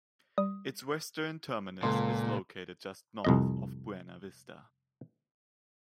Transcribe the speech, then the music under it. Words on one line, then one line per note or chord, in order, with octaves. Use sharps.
Its western terminus is located just north of Buena Vista.
G3 D#6
C#2 A#2 A4 C6
C2 F2 D#5